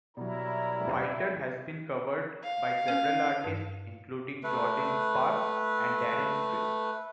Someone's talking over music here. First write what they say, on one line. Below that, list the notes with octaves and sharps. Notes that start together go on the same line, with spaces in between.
"Fighter" has been covered by several artists, including Jordin Sparks and Darren Criss.
B2 F#3 G3 E4 A#4 C#5 A#5
F5
C#4
G2
A3 B4